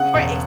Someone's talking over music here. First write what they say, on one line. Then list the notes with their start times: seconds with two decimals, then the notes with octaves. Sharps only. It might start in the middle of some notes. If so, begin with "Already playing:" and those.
Right. It's
Already playing: C#3 F#5
0.14 E1